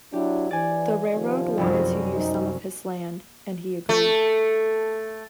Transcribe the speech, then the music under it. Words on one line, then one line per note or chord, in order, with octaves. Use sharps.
The railroad wanted to use some of his land, and he agreed.
F#3 D4 E4 G4
E3 D5 G#5
C3 D#3 F3
F1 C2 F#2
C3 D#4
A3